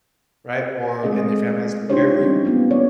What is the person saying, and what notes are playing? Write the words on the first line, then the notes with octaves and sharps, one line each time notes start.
Right? Or and their family has to take care of you
G#3 A3 C4 G#4 D#5
D4 D#4 F4 G4 C5 C#5
G3 C4 C#4
A#3 B3 F4
C#5 D5